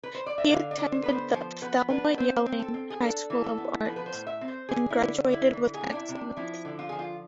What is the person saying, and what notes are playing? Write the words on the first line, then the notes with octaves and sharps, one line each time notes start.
He attended the "Thelma Yellin" High school of arts, and graduated with excellence.
B4
C5
D5
E5
D3 F5
D5
D3
C5
B3 B4
C5
F3 C5
B3 B4
D4 B4
C4 C5
C4
A4
C4
G#4
D4 A4
E3
A4
B3
F3 B4
B4
C5
A2
E5
C4
C5
D3 G#4
E4
D3
D3
E4
E3
G#4
C3
D4
E4
C3
D4
F3 E4
D3
F4
F3 G#4
F4